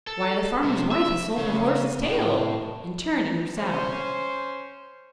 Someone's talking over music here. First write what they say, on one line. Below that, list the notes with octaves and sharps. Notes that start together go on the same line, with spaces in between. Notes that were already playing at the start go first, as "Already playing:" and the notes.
'Why, the farmer's wife has sold her horse's tail!' and turned in her saddle.
A4
C3
E5
C#3
A2
C#4 C5